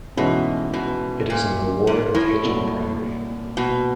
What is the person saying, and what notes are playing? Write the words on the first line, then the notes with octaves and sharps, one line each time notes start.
It is in the ward of Hitchin Priory.
G#2 B2 E3 A3 C#4
B2
A#2
G#2
A2
C2 A#2 F#3
B2